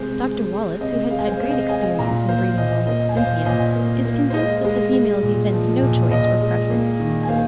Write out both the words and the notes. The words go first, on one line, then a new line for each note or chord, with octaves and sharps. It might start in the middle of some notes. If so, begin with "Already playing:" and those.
Dr. Wallace, who has had great experience in breeding Bombyx cynthia, is convinced that the females evince no choice or preference.
Already playing: C3 G#3 C5
G#3
G#3
C3 D#5
G#3 F5
G#5
C5 F5
C3 C5 F5
D#5
F5
G#3 D#5 G#5
A#2 F5 A#5
A#3 C5 F5
A#2 D#5
A#3 D#5
G#5
A#2 C5 F5
A#2 D#5 G#5
A#3
A#3
C5
G#3 D#5
G#3
G#3
A#2
F3
A#2
A#2 D#5
G#3
A#3
D#3
G#5
A#3 C5 F5